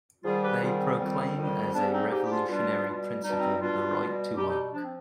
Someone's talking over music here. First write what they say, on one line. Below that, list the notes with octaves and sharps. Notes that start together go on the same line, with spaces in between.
They proclaim as a revolutionary principle the Right to Work.
G#2 D#3 G3 F4 G#4
G4 B4
G#2 D#3 G3 F4 G#4
C4
F2 D#3 G3
F2 D#3 G3
G#2 G3 B3 D4
C4 D#4
G#2 G3 D#4 G4
G4
D4 F4
B2 G3 D4 F4
B2 G3
B2 G3 D4 D#4
C4 D#4
B2 G3 D4 F4
B2 G3
B2 G3 D#4 G4
D#4 G4
F3 D4
C4